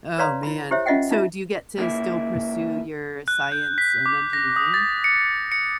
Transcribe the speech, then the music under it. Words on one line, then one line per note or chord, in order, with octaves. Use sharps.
Oh, man. So, do you get to still pursue your science and engineering?
B4 C#5 D5 F5 A#5 C6
E4 B5
E4 G4 C5 C#5 E5
C#4 F4 D#5 E5 F#5 G5
D#4 F4 E5
C#2 A#3 E4
F#6
G6
B6
D6
A#6
D#6
A6
C#7
C#7